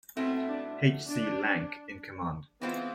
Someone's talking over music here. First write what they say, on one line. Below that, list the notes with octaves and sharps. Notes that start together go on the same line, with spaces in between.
H. C. Lank in command.
B2 A3 C4 E4
D4
D4
E3 G#3 B3 C4 F4